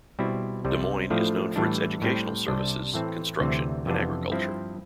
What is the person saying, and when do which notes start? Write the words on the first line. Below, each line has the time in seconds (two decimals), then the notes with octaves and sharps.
Des Moines is known for its educational services, construction, and agriculture.
0.19 B2 G3 C4 E4
0.65 C2 C3 G3
1.10 A2 F3 A3 D4
1.56 A2 E3 G3 D4
2.02 A2 G3 C4
2.48 C2 C3 G3 D4
2.94 A2 E3 A3 C4
3.40 D2 C3 E3 A3 C4
3.86 F2 C3 E3 B3 D4
4.32 G2 F3 C4 E4